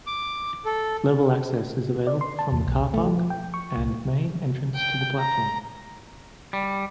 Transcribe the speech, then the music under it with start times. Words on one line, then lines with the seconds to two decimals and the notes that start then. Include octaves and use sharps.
Level access is available from the car park and main entrance to the platform.
0.07 D6
0.65 A4
2.07 D5
2.21 C6
2.39 A5
2.52 E2
2.67 B1
2.94 A3
3.06 F3
3.30 G5
3.54 C#6
3.77 C2
4.75 G5
5.18 A#5
6.53 G3